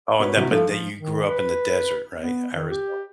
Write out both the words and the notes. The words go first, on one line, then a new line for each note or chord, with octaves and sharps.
Oh, and then but then you grew up in the desert, right, Arizona.
F#4 A#4 B4 C#5
C3 D#3 F#3 G3 E4 F#4
F3 D4 E4 A4 F5
F3
D#3
B4
B3
D#3
G4